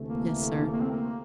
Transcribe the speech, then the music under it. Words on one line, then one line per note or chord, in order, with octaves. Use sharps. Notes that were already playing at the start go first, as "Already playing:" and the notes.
"Yes, sir."
Already playing: D2 C3 E3 A3
A#3
A#3
C4
A#3